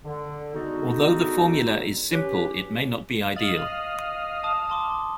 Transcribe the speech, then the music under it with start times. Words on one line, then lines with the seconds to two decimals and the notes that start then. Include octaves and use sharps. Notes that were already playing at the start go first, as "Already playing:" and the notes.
Although the formula is simple, it may not be ideal.
0.04 D3
0.54 D3 G#3 B3 D#4 F#4 A4
2.11 C#4 G4 B4
3.36 D#5 F5 A6 F#7
4.43 A5 D#6
4.70 A5 C6 D6